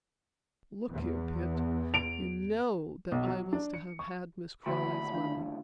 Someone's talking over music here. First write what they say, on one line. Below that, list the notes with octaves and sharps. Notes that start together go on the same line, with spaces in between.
Look here, Pitt--you know that I was to have had Miss Crawley's money.
E2
D7 F7
B1
F#3
D4
C#7
C#6
D#2 A2 D3 F#4 G5 B5
D4 F5